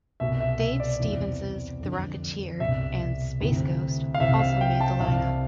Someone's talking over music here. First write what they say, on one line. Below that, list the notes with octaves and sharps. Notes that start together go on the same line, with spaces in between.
Dave Stevens's "The Rocketeer" and "Space Ghost" also made the line-up.
C2 B2 E5
E5
E5
D5
E2 C3 E3
F2 D3
C2 B2 E5
D2 C3 E3
F5
C2 C3 E3 E5
F5
G5
A5
C2 C3 E3 F5